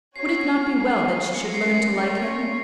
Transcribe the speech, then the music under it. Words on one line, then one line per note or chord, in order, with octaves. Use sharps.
Would it not be well that she should learn to like him?
C#4 F#4 C#5 G#5 C7
A#3 C#4 G#4 C#5 F5
C#4 F4 A#4 C#7
A#6
C7
C#7
C#4 F4 A#4 C#5 C7